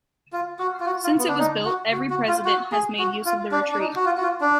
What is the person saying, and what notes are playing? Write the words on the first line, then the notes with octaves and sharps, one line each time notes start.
Since it was built, every president has made use of the retreat.
F4
F#4
F4
F#4
F4
B3
D4
D#4
F#4
F#4
F#4
F4
F#4
G#4
F#4
F4
D4
D4
D#4
F#4
F4
F#4
F4
D4